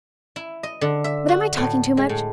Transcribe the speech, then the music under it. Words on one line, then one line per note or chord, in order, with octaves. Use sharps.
But am I talking too much?
E4
D#5
D3
E5
F#4
A2
G#3
A2